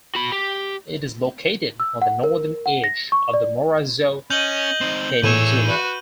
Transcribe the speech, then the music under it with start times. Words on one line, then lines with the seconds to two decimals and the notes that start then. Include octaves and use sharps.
It is located on the northern edge of the Morrazo peninsula.
0.15 F#4 B5
0.32 G4
1.80 E6
2.02 F#5
2.24 A#4
2.66 F#5
2.84 A#6
3.12 C#6
3.34 D5
4.30 C#4 D#5 G6 F#7 G7
4.81 C4 D#4
5.23 A2 E3 G#4 C#5 E6 D#7
5.67 F#4 B4